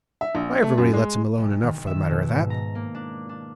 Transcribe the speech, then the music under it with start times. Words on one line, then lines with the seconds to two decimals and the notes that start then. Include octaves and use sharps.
'Why everybody lets him alone enough, for the matter of that.
0.21 E5
0.35 A#1
0.62 A3
0.78 F#2
0.93 G#3
1.38 B1
1.62 D#3
1.87 E5
2.11 B2
2.33 G#2
2.50 A#5
2.75 A#3
2.95 D4
3.29 D4